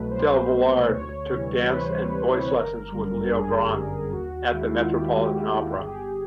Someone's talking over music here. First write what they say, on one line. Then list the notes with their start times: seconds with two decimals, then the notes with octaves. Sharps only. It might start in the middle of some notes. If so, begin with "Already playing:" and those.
Del Villard took dance and voice lessons with Leo Braun at the Metropolitan Opera.
Already playing: C2 B2 F#3 A3 B4
0.11 C2 C5
0.51 B2 F#3 A3
0.91 D2 C#5
1.31 C3 E3 G3
1.62 B4
1.71 D2 C5
2.12 C3 E3 G3
2.52 G1 A#4
2.92 F#2 D3 G3
3.32 G1 G#4
3.72 F#2 D3 G3
4.12 D#2 F#4
4.52 D#3 G#3 E4
4.73 F4
4.93 D#2 G4
5.33 D#3 G#3
5.73 G1 G4
5.80 G#4
5.87 G4